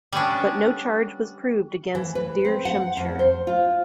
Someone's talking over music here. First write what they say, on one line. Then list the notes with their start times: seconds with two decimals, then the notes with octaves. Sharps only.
But no charge was proved against Dhir Shumsher.
0.13 G3 B3 C#4 D4
1.95 E3
2.15 B4
2.45 C4
2.65 F#5
2.97 F2
3.19 C5
3.47 F4